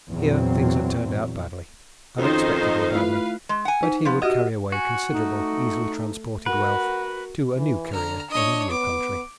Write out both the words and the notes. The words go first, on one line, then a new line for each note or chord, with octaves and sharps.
Here, things had turned out badly, unexpectedly badly--but he would carry away considerable, easily transported wealth, to a new career in a new country.
E2 A#2 F#3 C4
F2 D#3 C#4 D#4 F#4 C5
A4 D#5
A3 E4 F4 B4 F5
G#3
F#5 G#5
D#4
F3 B3
F#4 G4 D#5 F#5
F#4 G#5
A3 D#4
F#4 A#4 B4 F#5
E3
D3 A#5 F6
D4 C#5 D#5
B3 D6